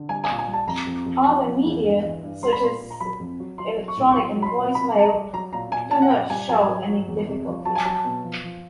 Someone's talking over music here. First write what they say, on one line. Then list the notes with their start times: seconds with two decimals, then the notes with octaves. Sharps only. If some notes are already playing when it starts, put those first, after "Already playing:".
Other media, such as electronic and voice mail, do not show any difficulty.
Already playing: D3
0.09 G3 G#5
0.24 G#5
0.30 A#2
0.39 G#5
0.48 G3
0.53 A5
0.67 F2 A#5
0.87 F2
1.06 F2
1.26 F3
1.46 F3
1.65 E2
1.85 G2
2.04 E3
2.23 G2
2.42 G3 C6
2.52 B5
2.62 A#2 C6
2.81 A#2
2.91 A#5
3.00 F#3 B5
3.20 F2
3.40 F#3
3.58 F#3 C6
3.78 F#3
3.88 C#6
3.97 A2
4.12 C#6
4.17 F#3 C6
4.36 F#3
4.42 B5
4.46 C6
4.56 A#2
4.75 C3 B5
4.95 G3 A5
5.03 A#5
5.13 G3
5.33 F#3 A#5
5.52 A#2 A#5
5.71 A#2 G#5
5.91 A#2 A5
6.02 F#5
6.11 A#2 G5
6.30 G3 G#5
6.49 F#3 G#5
6.69 F#3
6.89 F#3
7.08 E2
7.27 C3
7.47 F3
7.65 F#3 A5
7.75 G#5
7.85 F#3 A5
8.04 B2
8.24 F3
8.44 F3